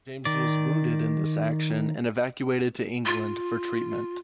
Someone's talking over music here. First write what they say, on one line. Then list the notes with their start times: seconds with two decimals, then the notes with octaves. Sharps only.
James was wounded in this action and evacuated to England for treatment.
0.25 D#3 D5
3.05 F4